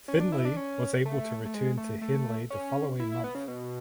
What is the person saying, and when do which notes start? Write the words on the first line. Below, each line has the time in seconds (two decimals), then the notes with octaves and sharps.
Finlay was able to return to Henley the following month.
0.08 C#4
0.20 D4
0.32 E4
0.45 D4
0.57 C#4
1.05 A3
1.45 A3
1.54 G#3
1.77 A3
2.02 A3
2.50 C#4
3.00 E4
3.12 E4
3.24 B3
3.35 C#3
3.48 B2